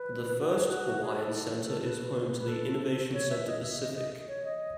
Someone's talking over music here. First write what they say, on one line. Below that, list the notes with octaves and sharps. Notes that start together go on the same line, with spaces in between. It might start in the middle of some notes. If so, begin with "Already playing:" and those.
The First Hawaiian Center is home to the Innovation Center Pacific.
Already playing: B4
F#4
G#4
F#4
F#4
G#4
A4
A4
A4
B4
B4
A4
C#5
E5
D#5
E5
D#5
D#5
C#5
D#5